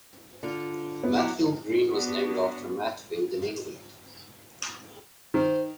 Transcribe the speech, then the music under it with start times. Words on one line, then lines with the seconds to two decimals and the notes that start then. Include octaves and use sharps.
Matfield Green was named after Matfield, in England.
0.43 D3 F4
1.04 B3 E4
1.17 F#3 E4 F#5 D6
1.93 B3 D4 F#4
5.34 D#3 C5